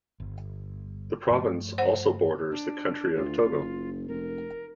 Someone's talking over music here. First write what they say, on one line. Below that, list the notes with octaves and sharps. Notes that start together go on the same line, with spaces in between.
The province also borders the country of Togo.
G1
G2 F3 A3
C5 F#5
D4
D2 F4
F#1
F1 A#4